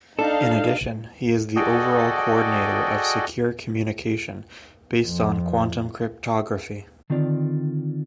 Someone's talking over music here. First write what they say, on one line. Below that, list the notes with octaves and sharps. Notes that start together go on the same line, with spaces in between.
In addition, he is the overall coordinator of Secure Communication based on Quantum Cryptography.
D4 D#4 A4 F5
F#4 G#4 A4 D5 D#5 G5
F2
D3 D#3 C4 F4 D5